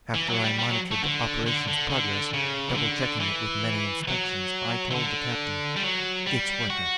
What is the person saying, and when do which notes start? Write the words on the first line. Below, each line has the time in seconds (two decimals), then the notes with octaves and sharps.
After I monitored the operation's progress, double-checking it with many inspections, I told the captain, "It's working."
0.14 E3
0.29 F#3
0.44 G3
0.59 G3
0.70 F#3
0.91 A3
1.02 D3
1.46 D3
1.68 D3
1.90 D3
2.34 C#3
2.68 E3
2.77 D3
3.20 E3
4.08 F#3
4.91 E3
4.95 D3
5.76 G3
5.83 F#3
6.27 G3
6.70 F#4